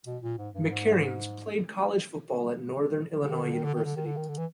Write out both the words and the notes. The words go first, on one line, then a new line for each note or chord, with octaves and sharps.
McCareins played college football at Northern Illinois University.
B2
A#2
G#2
G2
G#2
D3
D#3
D3
D#3
D3
D#3
D3
D#3
D3
D#3
D3
E3